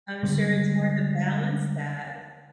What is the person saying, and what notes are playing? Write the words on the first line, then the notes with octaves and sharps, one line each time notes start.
I'm sure it's hard to balance that.
D3 G3 G#3